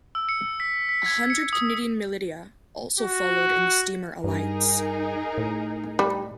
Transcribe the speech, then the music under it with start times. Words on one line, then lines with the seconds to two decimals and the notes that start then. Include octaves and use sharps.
A hundred Canadian militia also followed in the steamer "Alliance".
0.15 E6
0.29 C#7
0.60 B6
0.89 B6
1.06 G#6
1.30 C#7
1.53 D#6
3.00 F#4
4.24 G2 D#4 G#4 A#4
5.38 A2
5.99 G3